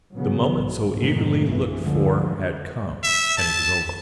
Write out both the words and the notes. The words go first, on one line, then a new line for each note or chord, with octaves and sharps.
The moment so eagerly looked for had come, and it was over.
A2 C#3 F#3 B3
B1 G#2
F2 G#2 B2 D3 D#3 A3
A#1 F#2 E3 F3
D2 D3 F3 G#3
E5
A5